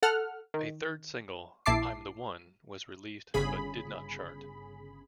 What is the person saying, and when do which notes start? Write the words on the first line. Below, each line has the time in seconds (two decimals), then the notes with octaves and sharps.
A third single, "I'm The One", was released but did not chart.
0.03 A4 F#5 F6
0.54 D#3
1.66 A#1 E4 A5 D6 C7
3.34 G1 C#3 G#4 B5